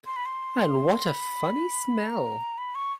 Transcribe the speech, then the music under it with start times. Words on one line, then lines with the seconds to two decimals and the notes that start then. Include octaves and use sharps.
And what a funny smell!
0.06 C6
0.16 B5
0.26 C6
1.07 B5
2.08 A#5
2.58 B5
2.75 C#6